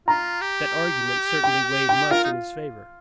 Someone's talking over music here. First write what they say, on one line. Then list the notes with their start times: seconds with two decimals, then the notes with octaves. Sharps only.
That argument certainly weighed much in his favor.
0.08 F4 A#5
0.41 G4
1.44 G5
1.89 G5
2.11 F4 A#4
2.24 D#4